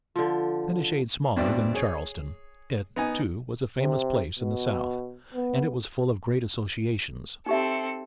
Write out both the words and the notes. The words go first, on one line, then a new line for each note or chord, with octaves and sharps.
Then a shade smaller than Charleston, it, too, was a famous place in the South, and it was full of great associations.
D3 F3
E2 G2 B2 C4 D4 E4
G#4 C#5
B3 D#4 G#5
C3
B2
B3
C4 D#4 G4 A4 E5